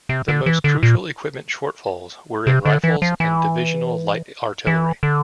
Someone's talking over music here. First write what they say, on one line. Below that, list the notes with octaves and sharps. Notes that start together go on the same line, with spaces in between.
The most crucial equipment shortfalls were in rifles and divisional light artillery.
C3
D3
E3
D3
A#2
C3
D3
E3
F3
E3
E3
D3